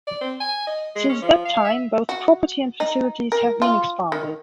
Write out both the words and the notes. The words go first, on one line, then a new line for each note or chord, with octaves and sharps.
Since that time, both property and facilities have been expanded.
D5
C4
G#5
D#5
G#3
C#4
F3
F5
E5
F#4
D#4
A#4
F4
D#3